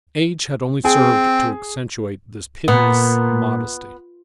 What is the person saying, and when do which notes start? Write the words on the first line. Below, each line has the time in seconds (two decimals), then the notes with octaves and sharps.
Age had only served to accentuate this pitiless modesty.
0.85 C4 G#4
2.68 A#2 B3